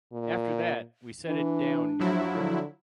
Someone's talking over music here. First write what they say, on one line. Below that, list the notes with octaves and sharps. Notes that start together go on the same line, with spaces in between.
After that, we set it down near the river.
A#2
E3 D4
F3 F#3 E4
D3